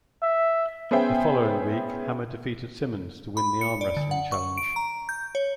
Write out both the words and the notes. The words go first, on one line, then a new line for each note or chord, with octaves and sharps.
The following week Hammer defeated Simmons to win the arm wrestling challenge.
E5
B3 C#4 G#4 C5 E5 G5
B5
C#7
D5
D3
F#5
C#6
D7
A#5
G6
C#5